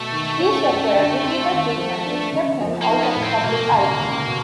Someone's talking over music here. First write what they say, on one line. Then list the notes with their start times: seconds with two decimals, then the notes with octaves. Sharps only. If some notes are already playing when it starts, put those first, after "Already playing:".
These required repeated treatment which kept him out of the public eye.
Already playing: B2 A3
0.12 D#3
0.40 C#4
0.67 F#2
0.95 D3
1.23 C4
1.50 D#2
1.78 F3
2.06 D4
2.33 C#3
2.61 F3
2.82 A#3
2.88 D#4
3.03 B3
3.16 A2
3.23 C4
3.43 B2 A#3
3.71 C#2
3.99 C#2
4.27 B2